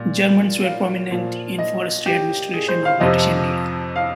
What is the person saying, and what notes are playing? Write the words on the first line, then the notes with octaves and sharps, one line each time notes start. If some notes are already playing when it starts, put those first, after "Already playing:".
Germans were prominent in the forestry administration of British India.
Already playing: A#2 G3
F5
A#2 F3
D#5
G4
G#4
C5
F5
F2 C3 F3 D#5
F5